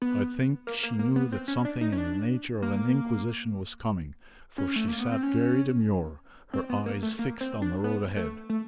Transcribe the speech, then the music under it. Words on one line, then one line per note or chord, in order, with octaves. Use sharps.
I think she knew that something in the nature of an inquisition was coming, for she sat very demure, her eyes fixed on the road ahead.
B3
A#3
A#3
A#3
B3
C4
C#4
D4
D#4
C#4
D4
A#3
C#4
A3
A#3
B3
C4
C#4
C4
B3
A#3
A3
A#3
C4
D4
B3
A3
A3